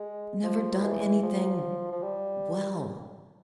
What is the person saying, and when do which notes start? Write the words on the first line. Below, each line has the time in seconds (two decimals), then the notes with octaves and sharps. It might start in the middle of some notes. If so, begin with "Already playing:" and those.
Never done anything--WELL....
Already playing: G#3
0.43 F3
0.82 E3
1.23 F3
1.92 F3
2.02 G3